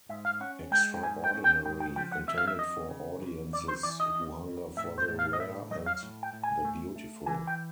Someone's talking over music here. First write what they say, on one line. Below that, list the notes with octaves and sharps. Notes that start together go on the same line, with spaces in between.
Extraordinary, intended for audiences who hunger for the rare and the beautiful.
G#2 E5
F5
C#4 F#5
G#3 G5
G5
G#2 G#5
G5
C#4
G5
G#2 G5
G5
F3 G5
F#5
F2 E5
F5
E5
F2 D#5
C#3
F2
F2 D5
C5
E3 D5
D#5
F2
F2
A2 E5
C5
A2
F5
D#5
A2 E5
F#3 D#5
F5
A2
G5
A2
G#5
A3
A3
E3 G#5
G5